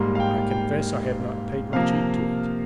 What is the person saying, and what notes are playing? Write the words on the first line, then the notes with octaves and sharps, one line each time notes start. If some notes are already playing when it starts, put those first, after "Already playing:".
I confess I had not paid much heed to it.
Already playing: G#2 G3 A#3 C6
F5
G5
G5
C3 F3 A#3 F5